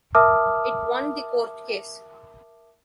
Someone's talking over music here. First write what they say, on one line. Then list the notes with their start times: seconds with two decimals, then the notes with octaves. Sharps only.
It won the court case.
0.15 A#4 E5 A5 D6 D#6 F6